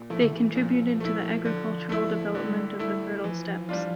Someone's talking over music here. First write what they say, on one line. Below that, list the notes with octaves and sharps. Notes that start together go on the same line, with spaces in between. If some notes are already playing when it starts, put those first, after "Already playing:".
They contributed to the agricultural development of the fertile steppes.
Already playing: A#2
F3 A3 E4
D3
E3
A#2 F3
A3 E4
D3
A3 E4
D3 G3
A3 E4
G3
E3 F3
G3 D4 F4